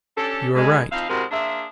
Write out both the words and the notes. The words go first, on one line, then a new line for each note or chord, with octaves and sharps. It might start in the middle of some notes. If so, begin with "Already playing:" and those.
You are right.
C#4 D4 G4 A4
F#2 B2 D3 G#3
F3 C4 D#4 E4 F5
C3 G#3 C4 E4 F#4 A#4
A#3 D4 G#4 C5 E5